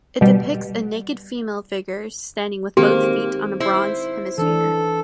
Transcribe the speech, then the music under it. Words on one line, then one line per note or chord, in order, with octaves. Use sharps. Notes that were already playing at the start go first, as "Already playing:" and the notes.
It depicts a naked female figure standing with both feet on a bronze hemisphere.
B2 G3
D#3 G#3 A#3 C4 G4
E4 C5
E3 D4 A4